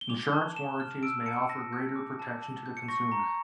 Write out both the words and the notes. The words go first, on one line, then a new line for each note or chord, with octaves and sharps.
Insurance warranties may offer greater protection to the consumer.
G7
D6 F7
A5
A5 E7
F6
E6 D7
A5 C#7
A5 A#6
G6
D6
A5
A5
G6
C#7
C#6 A#6
A#5